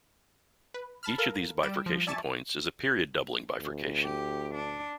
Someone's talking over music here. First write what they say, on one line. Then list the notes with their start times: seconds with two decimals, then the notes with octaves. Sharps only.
Each of these bifurcation points is a period-doubling bifurcation.
0.74 B4
1.03 A5 B5 F6
1.18 A4 A#4 F5
1.63 G3 D7 E7
1.86 F3
2.07 D5 E5 G#5 A5 C#6 A6
3.60 D2
4.04 G4
4.55 D4